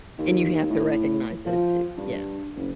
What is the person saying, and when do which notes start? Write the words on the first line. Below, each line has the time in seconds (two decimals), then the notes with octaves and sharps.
and you have to recognize those too. Yeah,
0.19 D#2
0.70 A2
1.46 F3
1.97 G2
2.55 F#1